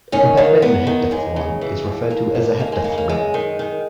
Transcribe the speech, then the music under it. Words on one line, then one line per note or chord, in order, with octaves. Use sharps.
A competitor in a heptathlon is referred to as a heptathlete.
D#3 C#4
D#3 A#3
E2 B3
D#3
D#2 G#3
C#3
E3
D#2
D#2 A#3
D#2
D#2 A#3
G#3
C#3 A#3
A#3
F#2 G#3
D#3
D#3